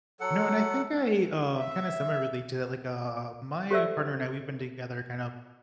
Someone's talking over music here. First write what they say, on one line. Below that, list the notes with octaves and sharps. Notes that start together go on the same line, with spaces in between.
No, and I think I, um kinda similarly to that, like, uh, my partner and I, we've been together kind of,
F#3 A4 F#5
E5
G4 A4 C5 D5 E5 E6